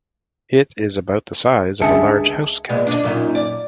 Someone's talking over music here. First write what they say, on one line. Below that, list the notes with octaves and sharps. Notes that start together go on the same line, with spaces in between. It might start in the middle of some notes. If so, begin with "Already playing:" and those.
It is about the size of a large housecat.
C#2 D3 G#4 E5 A5 C#7
A#2 G#3 B3
D4 D#5
F#2 A#2 D#4
D5